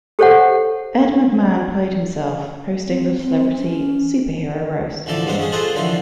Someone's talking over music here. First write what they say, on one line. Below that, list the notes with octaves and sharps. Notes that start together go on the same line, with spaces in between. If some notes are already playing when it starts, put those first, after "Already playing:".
Ed McMahon played himself, hosting the celebrity super-hero roast.
G4 A4 C5 C#5 E5 F#5
C4
C4
C#4
D2 E3 F3 A4 D5
G2 F#3 G#3 A#3 D4 C5
C#4 G#4
F4 G#4 A4 C5 D#5 F#5
F#2 D3 E3 F3 D4 C6